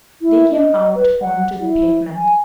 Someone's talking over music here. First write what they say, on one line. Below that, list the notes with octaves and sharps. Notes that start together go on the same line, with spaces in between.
They came out on to the pavement.
E4
D#5
B4
F#5
E4
G#5